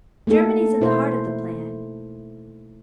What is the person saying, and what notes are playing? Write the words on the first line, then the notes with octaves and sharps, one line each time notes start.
'Germany's in the heart of the plan.
A3 A#3 D#4 A4
B2 E4 A#4 C5